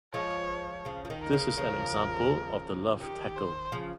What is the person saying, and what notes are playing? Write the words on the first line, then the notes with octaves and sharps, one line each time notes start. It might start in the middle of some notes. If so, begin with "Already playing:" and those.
This is an example of the Luff tackle.
F3 G#3 C#5
C#3 F3
F3
D#3
A#4
C#3
C#3 F3
D#3 G4
C5
C#3 F3